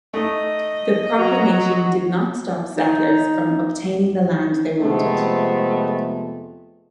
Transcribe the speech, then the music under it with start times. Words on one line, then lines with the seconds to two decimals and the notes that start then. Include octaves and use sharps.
The proclamation did not stop settlers from obtaining the land they wanted.
0.14 A3 D#4 D#5
1.18 F#3 F#4 A#5
2.75 D#4
4.81 F2 C3 G#3 A3 B3